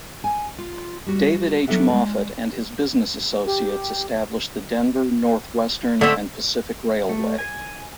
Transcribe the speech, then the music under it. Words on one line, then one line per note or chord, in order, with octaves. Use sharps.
David H. Moffat and his business associates established the Denver, Northwestern and Pacific Railway.
G#5
F4
G3 F#4
F#3 B3 D4 A4 E5 F#5
G#3 D5
G4
D3 A3 C4 E5
A3
G#5